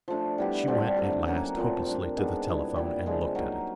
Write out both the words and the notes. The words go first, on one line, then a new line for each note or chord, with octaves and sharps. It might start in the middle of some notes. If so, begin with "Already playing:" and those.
She went at last, hopelessly, to the telephone, and looked at it.
F3 A3 D4
G3 B3 E4 G4
D3 G3 C4
F#3 A3 C4
F#3 A#3 C#4 F#4
A#2 F3 A3 C4
G3 A#3 D4
D#3 G#3 B3 D4
A#2 G3 B3 E4
A#2 G3 B3 E4
C3 F3 G#3 B3
F#3 A#3 D#4